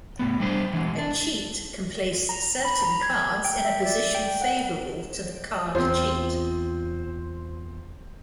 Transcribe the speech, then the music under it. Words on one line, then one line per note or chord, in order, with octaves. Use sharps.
A cheat can place certain cards in a position favorable to the card cheat.
A2 B3
G3 D4 C5
E3 G#3
D4
A#5
B5
A#5
G#6
G5
E5
D5
G5
F#5
E2 C4 F4 C5